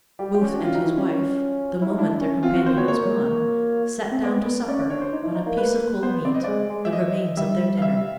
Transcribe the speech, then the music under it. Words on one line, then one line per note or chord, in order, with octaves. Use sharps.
Booth and his wife, the moment their companion was gone, sat down to supper on a piece of cold meat, the remains of their dinner.
G3 G4
G4
C#4
F#4
D4 E4
C#4 F4
D#4
E4
C#4
C#4
E4
D#4
D4 E4
C#4
C4 F4
C4 F#4
C4 C5
B3 C#5
A#3 C#5
C4
B3 D5
B3
C#4 D5
D5
D4 C#5
C5
D#4
E4
D#4
A#3
B4
B3 C5
C4 D5
D#5
G#3 D5
G#3
E5
D#5
G3 E5
F5
E5